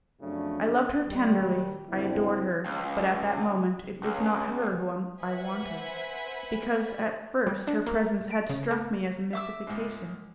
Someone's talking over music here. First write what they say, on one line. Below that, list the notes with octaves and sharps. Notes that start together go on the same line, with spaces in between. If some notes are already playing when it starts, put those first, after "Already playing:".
I loved her tenderly, I adored her, but at that moment it was not her whom I wanted, because at first her presence had struck me as a mystification.
F2 C#3 F#3 A3 D4
A#2 D#3 G3
F#1 B1 B2 D3 C4 E4
C#2
C#2
B4 C5 E5 F#5 G#5 B5
G3
D4
A#3
D7
C#3
A3
E5 D6 E6
C#2 G#2